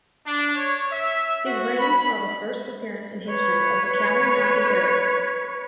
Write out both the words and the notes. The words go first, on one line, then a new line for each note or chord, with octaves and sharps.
His reign saw the first appearance in history of the camel-mounted Arabs.
D4
C#5
E5
F#4
B5
B4 C#5